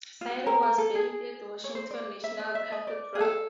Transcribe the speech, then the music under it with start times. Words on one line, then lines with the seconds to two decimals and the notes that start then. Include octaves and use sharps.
Sayre was buried at Washington National Cathedral.
0.21 F4
0.30 F#4
0.47 A#4
0.63 A#4
0.78 A4
0.95 G#4
1.64 C#5
1.75 C5
1.91 D5
2.24 E5
2.40 D#5
2.55 E5
2.72 D#5
2.87 D5
3.15 G#4
3.21 A4